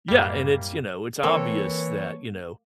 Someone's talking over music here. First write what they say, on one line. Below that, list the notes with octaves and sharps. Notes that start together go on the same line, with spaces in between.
Yeah, and it's you know, it's obvious that you know,
F#2 A2 G3 A#3
E3 A#3 C4 A4 C#5